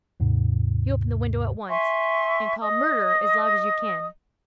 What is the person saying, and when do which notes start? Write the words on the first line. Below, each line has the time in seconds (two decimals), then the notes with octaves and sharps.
You open the window at once and call "Murder!" as loud as you can.
0.20 D#2 G#2 C3
1.69 E5 G#5 C6 C#6
2.62 D#5 D#6